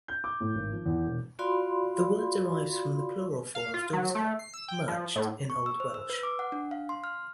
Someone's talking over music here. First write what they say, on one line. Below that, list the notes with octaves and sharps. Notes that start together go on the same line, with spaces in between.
The word derives from the plural form of daughter, "merched", in old Welsh.
G6
D6
A2
G#1
F3
E2
E1
F4 F#4 D5 F5 B5 C6
F5
F4
F#3
A3
C7
E6
G5
F3
A2
C#6
E6
C5
E6
B4
D6
F#5
D4
F5
C6
F6